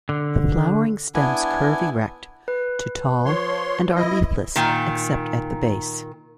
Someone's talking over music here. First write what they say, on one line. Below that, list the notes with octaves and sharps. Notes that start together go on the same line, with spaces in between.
The flowering stems curve erect, to tall, and are leafless except at the base.
D3
B3 D4 E4 G#5
B4
F3 C#5 C6
E4 D#5
A#2 D#3